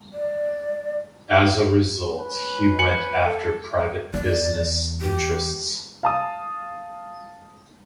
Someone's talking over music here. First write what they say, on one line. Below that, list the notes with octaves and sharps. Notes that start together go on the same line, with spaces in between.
As a result, he went after private business interests.
D5
C#4 B4
G#5 C#7 F#7
A4
E2 D5
G4
F5 A5 D#6